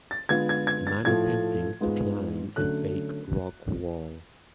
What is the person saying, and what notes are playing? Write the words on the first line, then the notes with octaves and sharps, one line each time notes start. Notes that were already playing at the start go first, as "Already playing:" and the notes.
A man attemping to climb a fake rock wall.
A6
D3 G#3 B3 F4 G#6
G#6
G#6
A6
A2 F3 A3 G#6
G#2 G#3 B3 F4
D3 F#3 A3 C#4 F#6